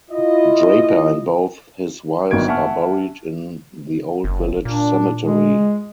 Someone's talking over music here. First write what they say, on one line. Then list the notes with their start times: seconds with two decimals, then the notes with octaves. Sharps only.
Draper and both his wives are buried in the Old Village Cemetery.
0.11 E4 F4 D#5
2.31 G1 F#2 D#3 D5 G#6 D7
2.48 E5 F#5 G#5 A5 C#6 F6
4.24 F#1
4.65 A#2 D4
5.24 G#3